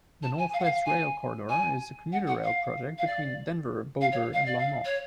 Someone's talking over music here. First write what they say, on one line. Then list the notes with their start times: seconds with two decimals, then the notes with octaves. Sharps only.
The Northwest Rail Corridor is a commuter rail project between Denver, Boulder, and Longmont.
0.22 A5
0.38 G#5
0.53 F5
0.59 F#5
0.64 F5
0.74 F5
0.85 G#5
1.49 G#5
2.12 F#5
2.27 F#5
2.43 F5
2.98 F5
3.07 D5
4.01 F5
4.12 C#5
4.33 F5
4.45 D5
4.58 F5
4.84 C#5